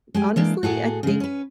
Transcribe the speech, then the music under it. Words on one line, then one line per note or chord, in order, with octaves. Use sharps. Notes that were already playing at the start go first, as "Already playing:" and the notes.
honestly, I think
G#3 G4 G#5
E3 G#3 A#3 D4
A2 F#4 G#4 A4
C#3 G#3
C#4 B4